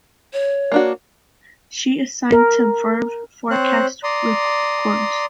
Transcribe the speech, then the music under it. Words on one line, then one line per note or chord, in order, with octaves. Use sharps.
She is signed to Verve Forecast Records.
C#5
A#3 D4 F#4
A#4
C4 C5 C#5 F#6
D5 A#5 C6 D#6